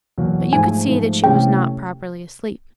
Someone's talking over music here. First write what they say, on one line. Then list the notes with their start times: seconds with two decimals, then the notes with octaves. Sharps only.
But you could see that she was not properly asleep....
0.18 E2 B2 F#3 A#3
0.53 G#2 F3 A3 G#5
0.88 G#2 F3 A3
1.24 C3 E3 A3 C#4 G5